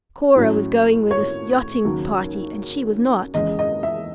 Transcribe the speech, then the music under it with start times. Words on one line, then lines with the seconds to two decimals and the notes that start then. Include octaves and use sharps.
Cora was going with a yachting-party, and she was not.
0.36 A2 F#3 C#4
1.11 C#5
1.85 D#2 C#3 F#3 C#4
3.34 E2 C#3 G#3 D#5
3.59 D#5
3.83 E5